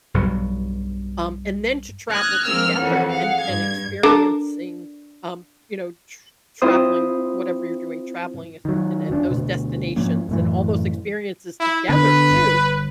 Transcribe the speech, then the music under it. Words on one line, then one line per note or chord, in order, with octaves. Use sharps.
um, and then to travel together and and experiencing, um you know, tr traveling- whatever you're doing- traveling in in those destinations and all those experiences together, too,
B1 G2 F#3
D#6 F6 F#6 G#6 A#6
F3 G#3 A#3 C4 E6 F6
F2 E3 C#4 F#5
G#4 F5 F#5
G2 G#6
D4 A4 A#4
C4 E4 F4 C5 D#6
D#3 F#3
F1 A#2 D4
D2 B2
G#2 F3 A#3 C#4
F#2 A2 E3
E4
D3 B3 B4
G1